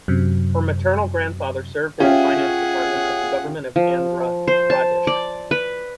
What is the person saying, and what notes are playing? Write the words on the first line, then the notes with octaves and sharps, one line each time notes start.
Her maternal grandfather served in the finance department of the Government of Andhra Pradesh.
F#2 C3
C#4 F4 G4 G#4 E5 F#5
F3
C5
A5
D5
B4